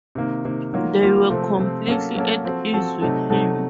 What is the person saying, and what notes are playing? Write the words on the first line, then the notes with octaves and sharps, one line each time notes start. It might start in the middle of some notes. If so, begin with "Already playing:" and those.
They were completely at ease with him.
C3 D#3 A#3
C3 D#3 A#3
D#3 F#3 A#3 F4
D#3 F#3 A#3 F4
C3 F3 A3 C4
C3 F3 A3 C4
F#3 A#3 C#4 A4
F#3 A#3 C#4 A4
F3 C4 F#4 A4
F3 C4 F#4 A4
C3 F#3 A3 D#4 A4
C3 F#3 A3 D#4 A4